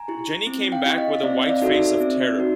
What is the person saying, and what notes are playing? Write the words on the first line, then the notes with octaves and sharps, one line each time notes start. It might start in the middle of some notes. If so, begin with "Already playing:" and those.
Jenny came back with a white face of terror.
Already playing: G#5 A#5
E4 G4
C4
F5 G5
E4 G4
D#5 F5
F5
C4 D5 E5
D5 E5
D#4 F#4 A4
D5 E5
C4
D#4 F#4